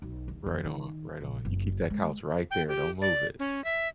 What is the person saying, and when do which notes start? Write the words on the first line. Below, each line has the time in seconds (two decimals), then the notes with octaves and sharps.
Right on. Right on. You keep that couch right there, don't move it.
0.02 B1
0.28 D#2
0.46 F2
0.65 D#3
1.20 A#1
1.45 F#1
1.90 G#3
2.51 G5
2.68 G4
3.01 D5
3.39 C#4
3.64 E5